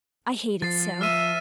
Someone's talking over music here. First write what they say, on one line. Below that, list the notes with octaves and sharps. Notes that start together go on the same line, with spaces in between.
I hate it so.
F3 A6 C7
E5 F6 D#7